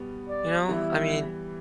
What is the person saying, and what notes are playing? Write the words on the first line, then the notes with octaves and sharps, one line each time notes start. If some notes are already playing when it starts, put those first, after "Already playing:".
you know, I mean,
Already playing: B2 G3 B3
D5
E3 G3 B3 E4